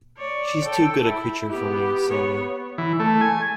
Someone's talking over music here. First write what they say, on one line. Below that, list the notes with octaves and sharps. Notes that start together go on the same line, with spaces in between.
She’s too good a creature for me, Sammy.
C#5 D5
A4 G5
E4
B3 G4
B3 C#5
E3
A3
G#5